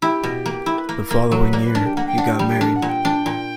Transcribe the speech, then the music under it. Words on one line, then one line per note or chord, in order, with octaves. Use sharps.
The following year, he got married.
E4 G4
B2
A#3
E4
B4
A#3 A#4
A#3 A#4
F#3 A#4
B4
A#3 D5
B4
D4 A#4
G4
A#3 F#5
G5
D4 F#5
G4
G3
G4
D4 A#4
F#5
A#2
G5
D4
A#2